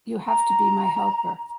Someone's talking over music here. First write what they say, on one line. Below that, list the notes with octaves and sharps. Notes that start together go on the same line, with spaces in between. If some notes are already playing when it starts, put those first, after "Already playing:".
You have to be my helper.
A#5